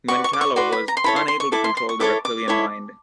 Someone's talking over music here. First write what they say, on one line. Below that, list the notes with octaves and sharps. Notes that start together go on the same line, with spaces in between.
Mentallo was unable to control the reptillian mind.
F#4 B4 D5 C#6
C#6
D6
C#6
F#4 B4 D5 C6
B5
A#5
C6
E4 A4 C#5 B5
C6
C6
C#6
E4 A4 D6
C6
C6
C#6
E4 A4 C#5 D6
D6
E4 A4 C#5